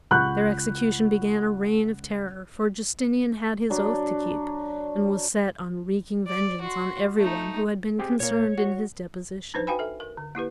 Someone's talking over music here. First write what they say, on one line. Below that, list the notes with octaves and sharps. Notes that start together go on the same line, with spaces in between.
Their execution began a reign of terror, for Justinian had his oath to keep, and was set on wreaking vengeance on every one who had been concerned in his deposition.
C#2 F#5 B5 C#6 F#6 G6
F#3 D4
D5
F#4 C6
A3 D#4
C4 G4 G#4
A#2 A#3 C#5
F#4
D4 D#4 B4 C5
F#4 B4 F5 G5 G#5 B5
A4 E5
A#4
D3
A#3 E4 G4 B4